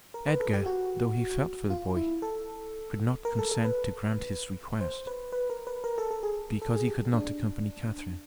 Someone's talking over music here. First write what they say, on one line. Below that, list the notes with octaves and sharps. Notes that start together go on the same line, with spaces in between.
Edgar, though he felt for the boy, could not consent to grant his request; because he could not accompany Catherine.
A#4
B4
A4
G4
F#4
F4
E4
A4
A#4
A4
A4
B4
C5
B4
B4
A#4
B4
A#4
A4
A4
G#4
A4
G#4
G4
D4